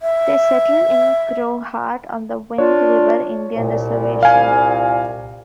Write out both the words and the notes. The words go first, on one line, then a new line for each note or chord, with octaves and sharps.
They settled in Crowheart, on the Wind River Indian Reservation.
E5
D4 F4 C#5
C2 A#2
F5 G#5